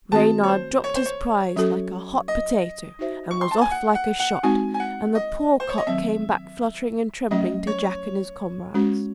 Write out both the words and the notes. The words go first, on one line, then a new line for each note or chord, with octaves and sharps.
Reynard dropped his prize like a hot potato, and was off like shot, and the poor cock came back fluttering and trembling to Jack and his comrades.
D#3 A3 C4 F#4 A5
C#5
C5
C#5
C5
C#5
F#3 C#4 F#4 A4
D#5
D#4 F#4 C5 E5
C#6
C6
A5
G#5
F#5
F#5
F#5
G#3 C4 D#4 F#4 G#5
G#5
F#5
D#5
C5
C#5
D#5
D#3 F#3 C4 E5
F#3 A3 C#4 D#5
C#5
G#3 C#4 F#4